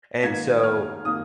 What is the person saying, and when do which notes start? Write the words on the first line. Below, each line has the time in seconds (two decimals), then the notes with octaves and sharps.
and so
0.23 G#2 D#3 A#3 G#6
0.63 F6
1.05 D#3 A#3 D#6